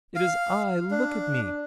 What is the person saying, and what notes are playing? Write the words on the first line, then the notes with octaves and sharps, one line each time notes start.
It is I! Look at me!
F5
D4